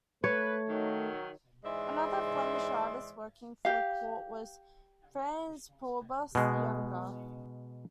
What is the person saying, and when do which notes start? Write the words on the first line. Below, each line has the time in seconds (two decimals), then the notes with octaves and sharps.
Another Flemish artist working for the court was Frans Pourbus the younger.
0.24 A3 B4 C#5
0.69 D#3 F#3
1.64 G#2 E3 G#3 C5 D5 E5
3.65 G4 F5
6.35 B2 G#3